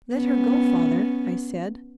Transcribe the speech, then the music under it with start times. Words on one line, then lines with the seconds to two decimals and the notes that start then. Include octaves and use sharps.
"Let her go, father," I said.
0.14 B3 C#4